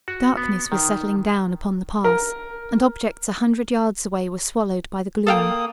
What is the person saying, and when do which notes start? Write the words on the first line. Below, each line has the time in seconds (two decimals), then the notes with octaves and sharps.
Darkness was settling down upon the pass, and objects a hundred yards away were swallowed by the gloom.
0.08 F#4
0.37 B3
0.72 D#3
2.04 A#4
5.27 A#3 A4 F5 G5 D#6